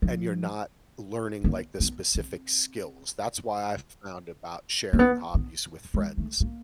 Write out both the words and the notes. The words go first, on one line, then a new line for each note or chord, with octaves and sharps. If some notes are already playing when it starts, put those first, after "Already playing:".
and you're not learning, like, the specific skills. That's why I found about sharing hobbies with friends
F3
A#3
B3
C4
A#3
B3
B3
G#3
A3
A#3